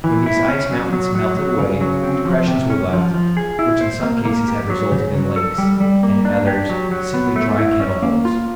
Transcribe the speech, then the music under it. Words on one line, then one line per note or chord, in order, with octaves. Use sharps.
When these ice mountains melted away depressions were left which in some cases have resulted in lakes, and in others simply dry kettle holes.
E3
E4
C#4
F#3
F#3
F#3
F#3
C#3
F#3
C4
F3
C3
C#4
F3
F3
G#4
E4
C5
A#3
A#3
G4
F#3
C#3
F#3
A4
G3
G3
A#3
D4
G4
F#3
F#3
B3
A3
E4
C#4
A#3
F4